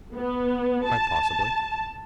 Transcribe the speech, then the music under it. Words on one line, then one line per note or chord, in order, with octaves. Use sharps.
"Quite possibly."
B3
A5